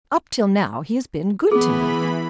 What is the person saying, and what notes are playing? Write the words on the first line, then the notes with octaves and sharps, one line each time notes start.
Up till now he has been good to me.
E3 B3 G#4 B5